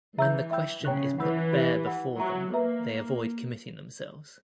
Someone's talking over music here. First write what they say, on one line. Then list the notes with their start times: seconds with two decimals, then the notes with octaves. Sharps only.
When the question is put bare before them they avoid committing themselves.
0.18 E3 E5 A#5 E6 G6
0.51 E5 G5 B5 E6 G6
0.85 C#3 C#5 G5 A#5 C#6 F#6
1.18 E3 F#5 B5 E6 G6
1.53 G4 B4 E5
1.86 F#5 B5 E6
2.20 F#3 E5 A#5 C#6
2.54 A#3 B4 E5 A#5